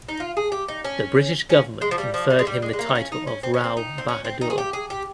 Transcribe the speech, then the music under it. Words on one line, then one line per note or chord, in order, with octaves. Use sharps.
The British government conferred him the title of Rao Bahadur.
D#4
F4
G#4
G4
D#4
C#4
C#4
G#3
F3
G3
F3
G3
G#3
G3
G#3
G#3
A#3
D#4
C#4
D#4
C#4
C4
C#4
C4
D#4
C4
C#4
C4
D#4
G#4
G4
G#4
G4